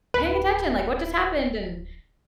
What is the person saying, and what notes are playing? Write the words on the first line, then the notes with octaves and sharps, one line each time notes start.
paying attention? Like, what just happened?" And,
D1 B4